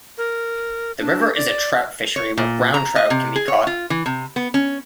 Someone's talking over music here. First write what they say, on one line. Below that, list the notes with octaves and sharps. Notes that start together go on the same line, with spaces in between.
The river is a trout fishery where brown trout can be caught.
A#4
D4
D5
C#5
A#2
A#5
D#5
C3
G#4
C#5
F4
E3
C3
B3
C#4